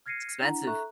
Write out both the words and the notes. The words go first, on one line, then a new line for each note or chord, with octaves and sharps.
It's expensive.
F6 G#6 A#6 C7 C#7 D#7
D4 E4 F#5 A#5
A4 E5 A#5 C#6 F#6